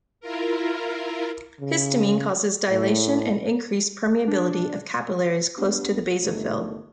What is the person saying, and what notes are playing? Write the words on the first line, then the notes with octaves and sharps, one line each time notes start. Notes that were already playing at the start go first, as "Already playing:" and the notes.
Histamine causes dilation and increased permeability of capillaries close to the basophil.
E4 F4 A#4
C#3
A2
D4
G2 B3
G1 G#2 D#3 A3